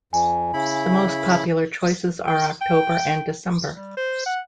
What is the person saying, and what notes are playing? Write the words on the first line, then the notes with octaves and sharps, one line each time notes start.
The most popular choices are October and December.
F2 G#5
C#3 E4 B5
G5
G5
G3
C5
F#5